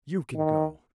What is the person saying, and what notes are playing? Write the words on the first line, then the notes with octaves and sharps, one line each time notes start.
"You can go."
D#3